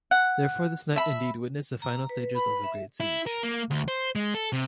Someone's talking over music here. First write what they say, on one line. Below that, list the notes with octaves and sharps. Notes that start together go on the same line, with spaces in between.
Therefore, this knight indeed witnessed the final stages of the Great Siege.
F#5
E5 B5
A#5
B4
B5
E5
E4
A#4
A#3
D2
C5
G#3
A4
C3